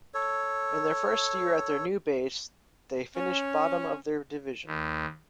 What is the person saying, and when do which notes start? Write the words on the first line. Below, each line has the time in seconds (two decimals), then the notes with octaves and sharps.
In their first year at their new base, they finished bottom of their division.
0.14 A4 C#5
3.15 C#4
4.67 D#2